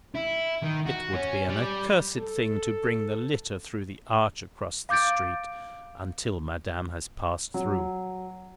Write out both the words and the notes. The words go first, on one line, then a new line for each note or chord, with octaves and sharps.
It would be an accursed thing to bring the litter through the arch across the street, until Madame has passed through.
E4
D#3
F#4
C#4
G3
A4
F5 D6 G6 A6 D7
F#3